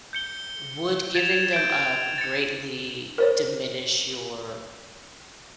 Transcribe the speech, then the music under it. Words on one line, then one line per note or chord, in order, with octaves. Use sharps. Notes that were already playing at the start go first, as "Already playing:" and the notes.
would giving them up greatly diminish your
G6 C#7 G7
G#6 A6 E7 F7
G6 D7
A6 C#7
A#4 C5 C#5